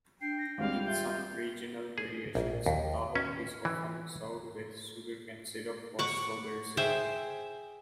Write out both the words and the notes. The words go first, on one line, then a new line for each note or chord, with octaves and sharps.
In some regional variations, taho is often served with sugarcane syrup or strawberry syrup.
D4 G5 C7
A#6
G#1 C#2 G3 C4 F5
F4 E5 G6
G#4
A#1
D#2
C#4
E3
F#5 C#6 D6
G#4 C5 E5 G5